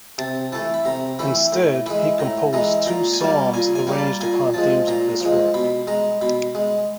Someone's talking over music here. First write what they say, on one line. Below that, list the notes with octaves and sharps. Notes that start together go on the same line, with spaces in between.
Instead, he composed two psalms arranged upon themes of this work.
C3 A5
E3 A3 A5
B5
C3 A#5
E3 A3 B5
A2
E3 G#3 B5
A2 A#5
E3 G#3 A#5
A#2 A#5
G#5
G3 A#3 A5
A#2 G#5
G#5
G3 A#3
A5
A#2 G#5
F3 G#3 A5
A#2 A#5
F3 G#3
B2 B5
G#3 A#5
B2 B5
G#3